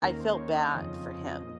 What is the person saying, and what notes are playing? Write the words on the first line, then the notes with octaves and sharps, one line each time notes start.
I felt bad for him.
D#2 D#3 A#3 C#4 A#4
C5
C#5
D#5
F2 C#3 F3 C4
A#2